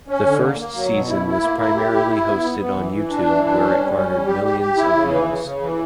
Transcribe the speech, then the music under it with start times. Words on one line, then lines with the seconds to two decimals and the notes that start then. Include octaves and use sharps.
The first season was primarily hosted on YouTube where it garnered millions of views.
0.08 C#4
0.26 D3
0.41 A#3
0.59 A#3
0.75 F#3
0.92 B2
1.09 E4
1.26 E4
1.42 A#3
1.59 E4
1.75 G4
1.93 E4
2.10 E4
2.26 B3
2.43 B3
2.60 B3
2.77 E3
2.93 E3
3.10 D4
3.26 E3
3.44 D4
3.60 C#4
3.77 G3
3.94 C#4
4.11 G3
4.26 G4
4.44 G4
4.60 G4
4.78 E4
4.94 C#3
5.11 E3
5.28 C#3
5.45 C#3
5.61 E3